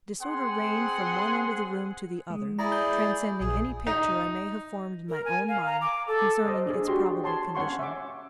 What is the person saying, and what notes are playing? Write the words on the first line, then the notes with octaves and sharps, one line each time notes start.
Disorder reigned from one end of the room to the other, transcending any picture I may have formed in my own mind concerning its probable condition.
C4 G#4 F#5 C6
G#3
E4 G#4 D5 A#5
G6
A#1 G#4
D#4
A#4
G#5
F5
A#5
D6
A4
C5 D#5
D4 G#4
F#4 G4 C6
C#5 A5 C6
C#4 C#5 F#5 C6 C#6
E5 C#6 D6